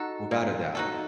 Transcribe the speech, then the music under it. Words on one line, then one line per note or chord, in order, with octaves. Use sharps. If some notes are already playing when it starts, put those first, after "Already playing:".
Without a doubt.
Already playing: D#4 F#4 A4
A#3
D#4 F#4 A4